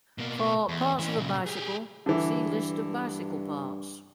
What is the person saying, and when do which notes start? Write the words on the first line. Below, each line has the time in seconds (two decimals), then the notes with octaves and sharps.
For "parts of a bicycle", see List of bicycle parts.
0.18 B2 A#3
0.68 E2
0.99 E3 C#4
1.17 A#2 C#3
1.47 G4 G#4
2.06 G2 D3 E3